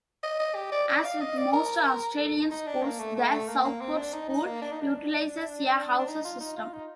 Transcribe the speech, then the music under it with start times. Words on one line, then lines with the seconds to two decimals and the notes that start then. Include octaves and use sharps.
As with most Australian schools, The Southport School utilises a house system.
0.23 D#5
0.39 D#5
0.55 G4
0.72 D5
0.88 D5
1.04 F5
1.21 D#5
1.37 D5
1.53 A#4
2.18 A4
2.51 D#4
2.67 D4
2.83 A#3
2.99 A3
3.16 A3
3.32 A3
3.48 A#3
3.64 A#3
3.80 C4
3.97 D4
4.13 D#4
4.29 D#4
4.45 A#3
4.62 D4
4.72 D#4
4.81 D4
5.99 D4
6.08 D#4
6.25 F4
6.40 D#4
6.56 F4
6.73 D#4